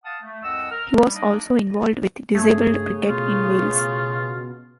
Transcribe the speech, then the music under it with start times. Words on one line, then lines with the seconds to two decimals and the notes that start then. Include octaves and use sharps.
He was also involved with disabled cricket in Wales.
0.04 F5 F#5 A5 D#6
0.23 A3
0.43 C2 F2 D#5 F#5 E6
0.71 A#4 F6
0.94 G3
1.13 A#3 D4 D#4 D5 D#5
2.35 G2 C#3 A3 G#4
3.09 B2 F4